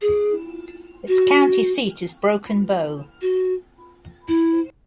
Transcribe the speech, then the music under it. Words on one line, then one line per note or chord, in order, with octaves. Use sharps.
Its county seat is Broken Bow.
G#4
F#4
F#4
E4